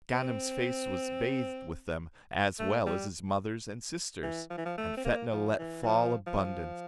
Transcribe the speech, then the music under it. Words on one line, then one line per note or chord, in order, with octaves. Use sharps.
Ganem's face was bathed with them, as well as his mother's and sisters; and Fetnah let fall abundance.
C4
A3
G3
E3
F3
E3
F3
A3
C4
A#3
F3
E3
E3
F3
F3